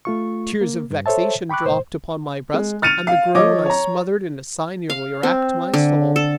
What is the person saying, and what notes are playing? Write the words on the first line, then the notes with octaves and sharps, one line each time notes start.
Tears of vexation dropped upon my breast and the groan I smothered in a sigh nearly wracked my soul.
A3 F4 C#6
A#3
G2
A4 C5 C#5 E5 A5
G5 B5 C#6 D6 F#6
C2 A2 C5
G#3
F6 A6 C#7 D#7 F7
F5
F3 C#5 D#5 D6
C#5 A#5
F5
C4
D3
A4